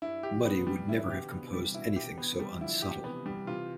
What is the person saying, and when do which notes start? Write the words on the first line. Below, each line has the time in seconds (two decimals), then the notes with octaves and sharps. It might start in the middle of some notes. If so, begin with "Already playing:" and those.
Muddy would never have composed anything so unsubtle.
0.02 G2 E4
0.23 G4
0.30 D3 F3
0.45 B3
0.60 C3 E3
0.67 G3
0.89 C3 E3 E4
1.09 B2 D3 G4
1.31 C3 E3 B3
1.53 C3 E3 G3
1.74 B2 D3 E4
1.96 G4
2.03 C3 E3
2.18 B3
2.32 C3 E3
2.40 G3
2.61 D3 F3 E4
2.82 G4
3.03 C3 E3 B3
3.26 G3
3.47 C3 E3 F4